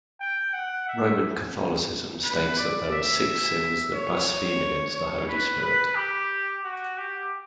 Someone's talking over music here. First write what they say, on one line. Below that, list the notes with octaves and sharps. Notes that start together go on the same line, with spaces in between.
Roman Catholicism states that there are six sins that blaspheme against the Holy Spirit.
G5
F#5
E5
B4
D5
E5
C#5
C#5
B4
B4
G4
F#4
G4